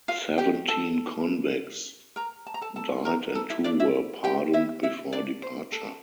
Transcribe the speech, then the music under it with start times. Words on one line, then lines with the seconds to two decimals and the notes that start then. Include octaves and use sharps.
Seventeen convicts died and two were pardoned before departure.
0.08 F4 F5
0.38 G4 G5
0.68 A4 A5
2.16 A#4 A#5
2.46 A5
2.54 A#5
2.61 A4 A5
2.76 A4 A5
3.05 A#4 A#5
3.35 A4 A5
3.50 E4 E5
3.64 D4 D5
3.80 E4 E5
4.24 G4 G5
4.53 E4 E5
4.83 E4 E5
5.13 D4 D5
5.42 C5
5.72 A4